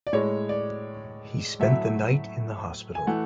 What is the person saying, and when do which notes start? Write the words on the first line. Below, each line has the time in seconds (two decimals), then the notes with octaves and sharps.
He spent the night in the hospital.
0.07 D5
0.13 A2 G#3 C#5
0.49 D5
1.59 A2 F#3 A3 E5
2.95 G#5
3.07 E3 A3 F#5